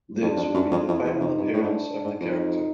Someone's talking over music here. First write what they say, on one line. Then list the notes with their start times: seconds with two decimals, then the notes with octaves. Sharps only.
This would be the final appearance of the character.
0.20 F2 D4
0.36 F2
0.54 F#2
0.71 F2
0.87 F2 E4
1.04 E2
1.20 F2 D#4
1.37 G2
1.53 A2 D4
1.63 G#2
1.70 A2
2.04 G#2
2.20 F2 D#4